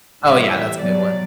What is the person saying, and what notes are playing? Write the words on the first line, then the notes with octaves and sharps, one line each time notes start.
Oh, yeah, that's a good one.
A2 E3 G3 E5
B2 F#3 D5